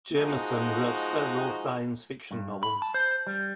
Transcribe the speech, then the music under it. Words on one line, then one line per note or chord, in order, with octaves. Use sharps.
Jameson wrote several science fiction novels.
F3 G#3 D#4 F#4
G2
B5
A5
C5
G3